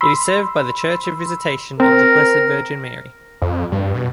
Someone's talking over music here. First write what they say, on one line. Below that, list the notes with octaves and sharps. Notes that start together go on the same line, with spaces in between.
It is served by the Church of Visitation of the Blessed Virgin Mary.
B5 C6 E6
C4 A#4
F2
G2
B2